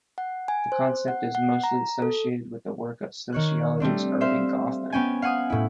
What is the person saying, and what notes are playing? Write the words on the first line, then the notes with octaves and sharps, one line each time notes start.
The concept is mostly associated with the work of sociologist Erving Goffman.
F#5
G#5
C5
F#5
F#5
A#5
A4
D#3 C#5 F#6
G3 A3 C4 D4
C5 E5 F5
B3 C#4 G5 G#5
F5 F#5 G#5 D#6
A2 E4